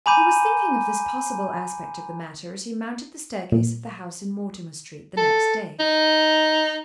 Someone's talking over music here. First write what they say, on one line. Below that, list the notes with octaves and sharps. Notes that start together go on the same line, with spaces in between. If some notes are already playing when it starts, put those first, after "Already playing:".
He was thinking of this possible aspect of the matter as he mounted the staircase of the house in Mortimer Street the next day.
G#5 A#5 B5 D6 G6 D#7
A#2
A4
D#4